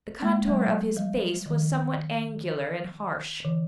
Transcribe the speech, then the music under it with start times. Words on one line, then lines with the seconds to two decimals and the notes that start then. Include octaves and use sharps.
The contour of his face was somewhat angular and harsh.
0.22 G#3 A#3
0.47 F#3 G#3
0.97 F3 G3
1.46 D#3 F3
3.45 D3 E3